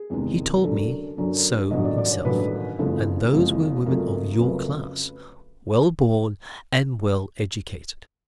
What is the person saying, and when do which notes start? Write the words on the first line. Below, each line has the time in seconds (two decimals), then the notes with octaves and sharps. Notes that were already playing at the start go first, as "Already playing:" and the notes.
He told me so himself, and those were women of your class, well born and well educated.
Already playing: G#4
0.10 E2 C3 D#3 G#3
0.64 F#2 D3 F#3 A4
1.18 F#2 D3 F#3
1.71 A1 G2 D#3 F#3 A3 D#5
1.85 D5
1.98 D5
2.12 C#5
2.25 A1 G2 D#3 F#3 A3 B4
2.78 F#1 F2 C#3 E3 G#3 A4
3.32 F#1 F2 C#3 E3 G#3
3.86 F2 C#3 F#3 A3 A#4
4.32 A#4
4.39 F2 C#3 F#3 A3 B4